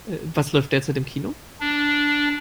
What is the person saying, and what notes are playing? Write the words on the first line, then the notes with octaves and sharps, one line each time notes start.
Was läuft derzeit im Kino?
D4